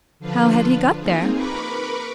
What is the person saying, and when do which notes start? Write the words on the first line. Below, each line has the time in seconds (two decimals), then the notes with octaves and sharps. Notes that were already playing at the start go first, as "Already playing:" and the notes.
How had he got there?
0.19 D3 F3 D4 F4 B4
0.99 A#3 C4 D#4 F4 G#4
1.33 A#4 B4 B5 C#6 D6